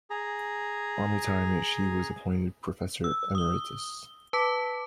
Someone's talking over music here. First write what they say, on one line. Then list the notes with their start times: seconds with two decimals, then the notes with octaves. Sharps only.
On retirement, she was appointed Professor Emeritus.
0.10 G#4 A#5
3.04 E6
3.35 D#6 G7
4.33 B4 A5 D6 B6